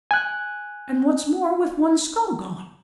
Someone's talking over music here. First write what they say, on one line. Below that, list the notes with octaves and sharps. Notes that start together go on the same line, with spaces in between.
And what's more,--with one scull gone.
G#5 F#6